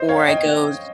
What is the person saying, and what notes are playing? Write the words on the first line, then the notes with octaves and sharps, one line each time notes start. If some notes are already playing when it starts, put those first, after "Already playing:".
Or I go s
Already playing: C5 D#5
C#5 F5
D#5 G5